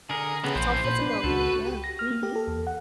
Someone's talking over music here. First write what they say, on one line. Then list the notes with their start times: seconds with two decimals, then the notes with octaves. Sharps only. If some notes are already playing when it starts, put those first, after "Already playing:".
It's all physical. Yeah, mhm.
0.10 D3 G#4 A#4
0.44 A2 C#3 E3 B3
0.55 A#1 C5
0.85 A#2 B4
1.01 B3 D4
1.24 C#2 F#4 A4
1.67 G4
1.84 A#6
1.99 F6
2.11 A#3
2.23 G4
2.36 A4
2.48 E2
2.67 F#5